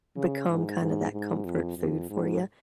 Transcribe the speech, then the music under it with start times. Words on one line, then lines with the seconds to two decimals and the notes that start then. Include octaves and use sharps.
become kinda that comfort food for ya.
0.16 C#3
0.49 G#2
0.81 G#2
1.13 G#2
1.45 F2
1.77 F2
2.10 G#2